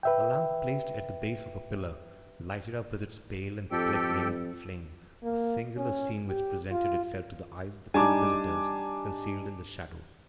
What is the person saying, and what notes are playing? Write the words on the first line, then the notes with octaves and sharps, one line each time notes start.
A lamp, placed at the base of a pillar, lighted up with its pale and flickering flame the singular scene which presented itself to the eyes of the two visitors concealed in the shadow.
B4 E5 G5
F2 G4 A4 G5
A#3
C#4
G4
F4
G3 D4 D#4 G#5 A5 D6